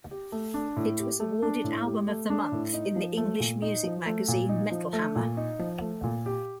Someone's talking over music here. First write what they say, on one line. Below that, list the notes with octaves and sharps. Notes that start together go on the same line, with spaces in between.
It was awarded "Album of the Month" in the English music magazine "Metal Hammer".
G4
A3
D4
A2
G4
A3
D4
A2
G4
A3
D4
A2
D#4
F3
A3
A#2
D#4
F3
A3
A#2
D#4
F3
A3
A#2
D#4
F3
A3
A#2
G4